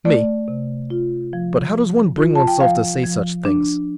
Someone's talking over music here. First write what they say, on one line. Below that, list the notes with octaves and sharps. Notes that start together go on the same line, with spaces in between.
ME: But how does one bring oneself to say such things?
A3 D5
C3
F4
F3
F3
F4
A5
G5
F3 F5
F3
D4